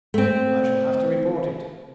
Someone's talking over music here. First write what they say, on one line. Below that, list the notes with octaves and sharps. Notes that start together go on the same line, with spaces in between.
"I shall have to report it."
A3 C4